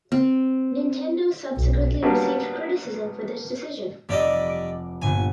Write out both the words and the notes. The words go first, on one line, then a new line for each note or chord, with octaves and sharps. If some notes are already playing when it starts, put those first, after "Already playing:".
Nintendo subsequently received criticism for this decision.
C4
B1
F#3 G3 A#3 B3 D4
F1 G3 D5 D#5 E6
D6 D7
G1 A#2 B3 G#5